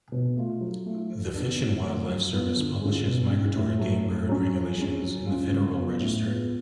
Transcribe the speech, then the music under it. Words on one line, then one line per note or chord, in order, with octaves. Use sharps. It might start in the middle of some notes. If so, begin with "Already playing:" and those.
The Fish and Wildlife Service publishes migratory game bird regulations in the Federal Register.
B2
A3 F4
F#3
A3 F4
F3
B3 D4
D3
F3 A3 F4
F#3
B3 F4
D3
G#3 C#4 F4
B2
G#3 C#4
A2
F#3 A3
A2
F#3 C#4
F3
G#3 C#4
F#3
C#4 F4
C#3
F#3 B3 F4
A2
G#3 B3 F4